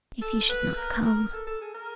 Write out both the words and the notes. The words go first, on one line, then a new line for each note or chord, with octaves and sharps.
If he should not come!
A4
B4
A#4
A#4
A4
A4
G#4
A#4